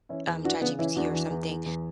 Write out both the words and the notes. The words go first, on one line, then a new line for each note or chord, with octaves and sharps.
um, ChatGPT or something,
E3 C#4 E4
E2
E3 D4 F#4
C#3 B3 D4
E3 C#4 E4
E2 D4 F#4
E3
E2
E2
E2